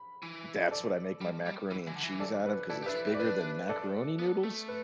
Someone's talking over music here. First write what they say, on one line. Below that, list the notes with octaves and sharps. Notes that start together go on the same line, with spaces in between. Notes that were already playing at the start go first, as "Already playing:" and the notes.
that's what I make my macaroni and cheese out of because it's bigger than macaroni noodles
Already playing: B5
E3
A4 D5
G3
G3
E3
E3
D3
E3
A4 D5
B4
E4 A4 D5
G4
D4 B4 E5
E4
G4
D5
D4 B4
A4 D5
B3
A3
B4